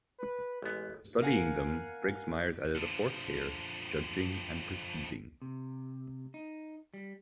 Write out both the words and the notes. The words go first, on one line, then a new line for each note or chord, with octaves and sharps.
After studying them, Briggs Myers added a fourth pair, Judging and Perceiving.
B4
A1 G#3 B3
A#4 F5 F#5 G#5
D3 F3
C3
D#4
G3